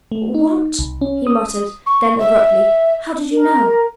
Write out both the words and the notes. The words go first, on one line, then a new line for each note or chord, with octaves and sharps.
"What?" he muttered; then, abruptly: "How did you know?"
A3
D#4
C2
C#4
D#6
C#6
E5
A#4